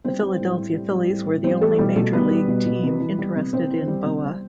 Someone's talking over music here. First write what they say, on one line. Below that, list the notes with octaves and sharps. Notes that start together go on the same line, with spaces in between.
The Philadelphia Phillies were the only Major League team interested in Bowa.
G3 C4 C5
G3
A2
A2
G3
G3
A2
A2
G3 C4 C5
G3 A3 A4
B2 G3 G4
B2 A3 A4
G3 B3 B4
G3
B2
B2
C3
E3
G3
C3
C3 C4 C5
E3
G3
C3
G3